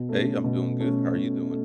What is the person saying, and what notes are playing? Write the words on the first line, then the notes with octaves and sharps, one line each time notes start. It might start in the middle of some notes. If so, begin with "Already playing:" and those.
Hey, I'm doing good. How are you doing?
Already playing: B2
A3 C#4 A4
B2
A3 C#4 A4
B2
A3